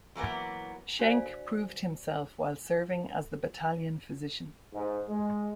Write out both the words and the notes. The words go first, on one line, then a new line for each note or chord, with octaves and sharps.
Schenck proved himself while serving as the battalion physician.
E3 F#3 A#3 B3
D4 F#4 C5 D5 F5 G#5
G#2
G#3